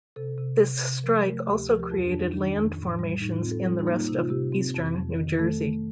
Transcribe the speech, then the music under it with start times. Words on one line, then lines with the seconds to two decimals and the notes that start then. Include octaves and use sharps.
This strike also created land formations in the rest of eastern New Jersey.
0.16 C3 A4
0.38 C3
0.60 C3
0.81 C3
1.04 F3 A#4
1.25 A3 A#4
1.47 D2 G4
1.69 F3 A#4
1.80 G4
1.90 F2 F4
2.06 D4
2.12 F2
2.20 D#4
2.34 D#3 D4
2.56 F2
2.78 A2
2.99 G3
3.21 A2 D#4
3.36 F4
3.43 C4
3.51 A4
3.65 G3 F4
3.79 D#4
3.87 A#3
3.94 D#4
4.08 C3 D#4
4.19 F4
4.30 C3 G4
4.52 C4
4.74 F2
4.95 F2
5.17 D#3
5.39 A3 A4
5.62 A3